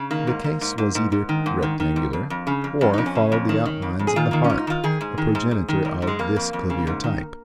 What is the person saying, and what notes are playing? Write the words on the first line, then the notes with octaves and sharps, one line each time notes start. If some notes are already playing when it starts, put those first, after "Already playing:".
The case was either rectangular, or followed the outlines of the harp, a progenitor of this clavier type.
Already playing: C#3
D#3 A#3
G#2
G#2
G#2
G#2
G#2
G#2
D#3
G#2
D#3
D#3
G#2
F2
F2
C#3
F2
F2 C#4
F2 D#4
C#4
C#3
F2
D#3
D#3
F2
F2
G#4
D#3 F4
D#3 A#3
C#4
G#2
D#4
D#3 F4
D#3 G#4
G#2
D#3
G#2
G#2
D#3
G#2
G#2
G#3
F2 A#3
F2
F2
C#3
G#2
D#3